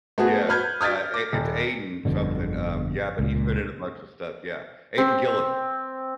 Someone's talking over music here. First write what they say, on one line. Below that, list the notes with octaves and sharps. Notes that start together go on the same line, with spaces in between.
Yes, uh, i it's Aidan-something, um, yeah, but he's been in a bunch of stuff, yeah. Aidan Gillen.
A3 B3 F#4 G#4
B4 F6 G6 G#6
D#6 F6 G6 A6 B6
D6
D#1
G1 F2 B2 D3
C#2 A#2
C4